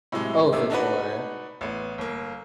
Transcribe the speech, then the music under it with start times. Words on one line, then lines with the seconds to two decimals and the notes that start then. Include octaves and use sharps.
Oh, for sure.
0.12 A2 C3 F#3 G#3
0.52 G#1 C3
0.70 D4 D#4 F#4 B4
1.61 A1 B3
1.98 G1 A#3